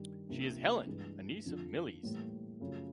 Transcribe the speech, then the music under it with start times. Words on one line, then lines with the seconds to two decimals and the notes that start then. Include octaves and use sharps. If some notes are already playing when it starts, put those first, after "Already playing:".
She is Helen, a niece of Millie’s.
Already playing: G2 D#3 G3
0.29 C#2 C3 F3 A#3 D4
0.87 G2 E3 G#3
1.44 F2 D3 F3
2.03 A2 E3 G3 A#3
2.60 F#2 C#3 F3 A3